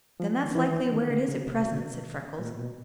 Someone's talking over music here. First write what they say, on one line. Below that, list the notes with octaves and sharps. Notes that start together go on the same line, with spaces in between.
"Then that's likely where it is at present," said Freckles.
F3
D#3
E3
D#3
D3
C#3
C3
B2
A#2
B2